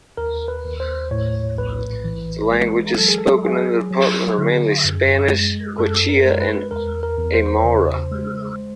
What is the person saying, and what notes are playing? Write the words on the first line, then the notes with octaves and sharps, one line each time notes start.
The languages spoken in the department are mainly Spanish, Quechua and Aymara.
D#2 A#4
B4
D#2
C5
A2 C#5
A#1 B4
E3
G#3
F#3 A4
G#4
A4
F#3 G#4
F#3
D3
F#2
G#3
F#2 A4
A#4
G#3 A#4
B4
E2 A#4
A#4
E2
C5
C#3
G#3